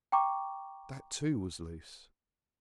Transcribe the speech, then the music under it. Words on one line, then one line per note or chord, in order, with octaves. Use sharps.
That too was loose.
G5 A#5 C#6 D6